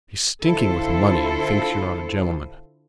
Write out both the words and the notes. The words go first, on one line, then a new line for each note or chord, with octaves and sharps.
He's stinking with money and thinks you're not a gentleman.
D3 E4 F4 A4 C5